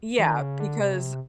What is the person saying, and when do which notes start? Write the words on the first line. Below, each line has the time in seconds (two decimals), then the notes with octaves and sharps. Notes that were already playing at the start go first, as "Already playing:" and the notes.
Yeah, because
0.19 E3
0.26 D#3
0.33 D3
0.41 C#3
0.60 D3
0.79 C3
0.94 C#3
0.99 C3